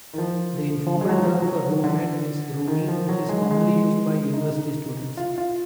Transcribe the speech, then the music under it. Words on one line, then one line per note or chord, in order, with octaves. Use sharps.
The informal term for roommate is roomie, which is commonly used by university students.
D#3
F3
G#3
F#3
F3
F#3
F#3
D3
D#3
F3
F#3
G#3
G#3
D#4
F4
F4